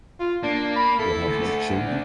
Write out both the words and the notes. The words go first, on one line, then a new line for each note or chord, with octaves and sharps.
You have no children.
F4
A#3 D4
B5
E4 A4
D2
D4